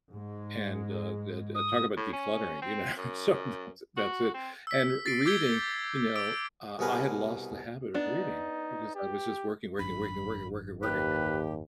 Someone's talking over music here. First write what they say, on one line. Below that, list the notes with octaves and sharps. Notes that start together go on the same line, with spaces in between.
And, uh da da talk about decluttering, you know, sometimes it that's it. And r reading, you know, uh, I had lost the habit of reading because I was just working, working, working, working, working, working,
G#2 G#3
D#6
A2
C#4
C4
F#2
F#4
C4
E6 B6
A6 C7 D7
D6 E6 G6 G#6 G7
D6 E6 D7
C2 B2 G#4 A#4 B4
B3 D4 D#4
G4
G#1 F#2 D4 B5
D#2 G4 B4